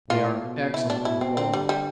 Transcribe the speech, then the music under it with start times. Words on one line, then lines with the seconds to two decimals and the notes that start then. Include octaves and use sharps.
They are excellent in quality.
0.10 A2 F4
0.42 B2
0.74 B2 E4
0.90 D4
1.05 E4
1.21 C4
1.37 D3 C4
1.54 G3
1.69 G3